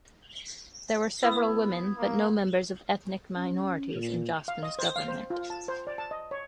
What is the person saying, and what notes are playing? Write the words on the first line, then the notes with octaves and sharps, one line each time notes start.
There were several women but no members of ethnic minorities in Jospin's government.
B3 E4
A#3
C#4
A#2
F5
D#5
C5
F5
C5
F4
A5
C5
D5
A5
D#5
C#5